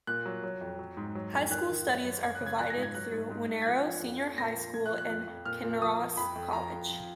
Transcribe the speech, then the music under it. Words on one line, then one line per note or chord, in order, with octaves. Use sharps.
High school studies are provided through Wanneroo Senior High School and Kinross College.
A#2 F#6
F#3
F#3
F2
F#3
G#2
F#3
F2
D#3 F#6
D#3
F#2
F#3
F#2 G#6
F#6
C#3
G#6
F3 F#6
A#6
G#2
G#6
F#3 F#6
G#2
G#2
G#2
G#6
F3 F#6
F3
F2
F2
A#2 A#6
F3
A#2 G#6
F#6
F3
F#6
F2 F#6
F2
A#2 F6
A#2
F3 D#6
F3
F2 B5
F2
F3 A#5
F2
F3